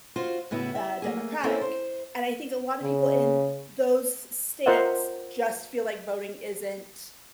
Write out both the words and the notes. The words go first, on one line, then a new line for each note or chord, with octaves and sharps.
uh, Democratic, and I think a lot of people in those states just feel like voting isn't
F4 F#4 C5
A2 C#3 B3 E4 F#4
E5
A3 A#3 G#4
A#3 C4 C#4 E4 A4 A#4
C5
C#3
F4 A#4 C5 D#5 E5 F#5